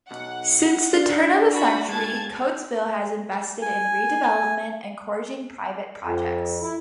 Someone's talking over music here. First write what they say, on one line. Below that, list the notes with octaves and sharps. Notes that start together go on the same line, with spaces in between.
Since the turn of the century, Coatesville has invested in redevelopment, encouraging private projects.
B1 F#5
D4
F#4 B5
G2 G#3 A5 G#6
G#5
F2
E4